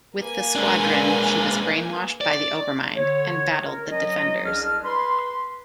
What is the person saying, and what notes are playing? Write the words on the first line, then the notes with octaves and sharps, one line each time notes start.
With the Squadron, she was brainwashed by the Overmind, and battled the Defenders.
A#3 B4 G#5
G#3 D4
D5
D3 C#5
A#4
F#3 C#4 D#5
C2 D4 G#4 F6
B4 B5 C6